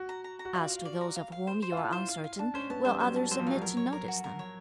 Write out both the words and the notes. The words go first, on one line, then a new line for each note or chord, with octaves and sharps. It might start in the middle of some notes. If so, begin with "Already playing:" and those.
"As to those of whom you are uncertain, will others omit to notice them?"
Already playing: F#4
A#5
A#5
A#5
F#4
F4 D5
F5
D5
A#5
F5
F5
C5
C5
F4
E4 A5
C5
F5
F5
D4 A5
C#4 C5
B3 A5
G3 C5
F#3 C5
A5
F#3 C5
F3
F#3 F5
G3
F#3 A#4
C#5
A#4
F#4
A#4
C#5